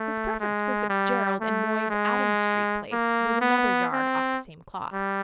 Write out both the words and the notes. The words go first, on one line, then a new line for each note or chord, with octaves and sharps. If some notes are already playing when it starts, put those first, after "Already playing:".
His preference for Fitzgerald and Moy's Adams Street place was another yard off the same cloth.
Already playing: A3
G#3
G3
A3
G#3
A#3
B3
C4
G3